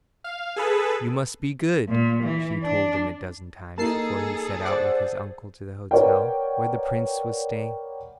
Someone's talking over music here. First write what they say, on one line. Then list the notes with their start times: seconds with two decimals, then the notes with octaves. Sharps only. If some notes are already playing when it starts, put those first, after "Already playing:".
"You must be good," she told him a dozen times before he set out with his uncle to the hotel where the Prince was staying.
0.24 F5
0.56 G#4 A4 B4
1.88 A#2
2.23 E3
2.63 D4
3.78 A#3 D#4 G#4 A4 A5 C7
4.65 C5 D5 F#5 A6
5.91 A#4 B4 C#5 D5 F#5 G5